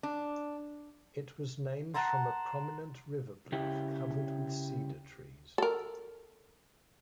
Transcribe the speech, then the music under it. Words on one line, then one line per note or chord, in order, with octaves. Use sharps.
It was named from a prominent river bluff covered with cedar trees.
D4
F#5 A5 A#5 C6
C#3 E4 G4
A4 A#4